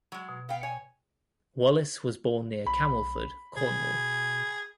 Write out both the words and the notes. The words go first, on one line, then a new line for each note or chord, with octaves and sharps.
Wallis was born near Camelford, Cornwall.
F#3 G#3
B2
B3 F5 G5
C#5 G#5
B1 B5
B2 G#4